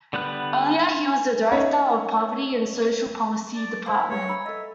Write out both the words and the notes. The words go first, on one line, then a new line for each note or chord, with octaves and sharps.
Earlier, he was the director of Poverty and Social Policy Department.
D3 G3 B3 B4 F#6
C#4 D#4 C#5 E5 F#5
D5
G#3 E4 C5 F5
G#3 B4 C#5
A#5 B5 E6
A4 D#5 E5